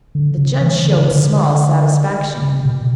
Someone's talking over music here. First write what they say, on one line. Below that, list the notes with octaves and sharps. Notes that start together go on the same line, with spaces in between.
The judge showed small satisfaction.
D3
C#3
E3
D3
C#3
D3
C#3
B2